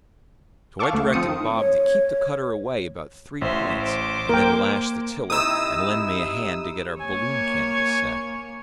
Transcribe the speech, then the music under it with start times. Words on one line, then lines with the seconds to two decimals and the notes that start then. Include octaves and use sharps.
So I directed Bob to keep the cutter away about three points, and then lash the tiller, and lend me a hand to get our balloon canvas set.
0.79 F5 F#5 A5 C#6 D6 E6
0.93 D2 A3
1.13 F3 C4 D#6 C#7
1.28 D#3
1.56 C#5
3.42 A1 C5 E5
3.81 C5 D6
4.29 A#3 A#4 G5
5.30 C3 D#3 E4 D#6 E6
7.00 A#3 C#5 G#5